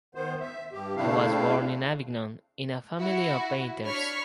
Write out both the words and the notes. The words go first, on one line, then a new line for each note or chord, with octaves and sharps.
He was born in Avignon in a family of painters.
D#3 B3 C5
E5
G2 G4
C#3 A3 C4 D4 E4 F5
E4 F#4
D4 C#5 B5 C#6 F6 B6